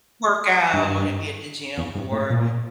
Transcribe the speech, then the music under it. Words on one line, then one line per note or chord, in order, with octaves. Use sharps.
work out and be at the gym more,
G2
E2
G2
A2
A#2